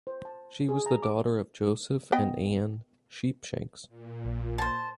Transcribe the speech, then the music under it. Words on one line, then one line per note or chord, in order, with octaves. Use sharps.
She was the daughter of Joseph and Ann Sheepshanks.
C5
A5
G#4
A#5
D6
B3 D#5 G5
A#2
A#1
C5 A5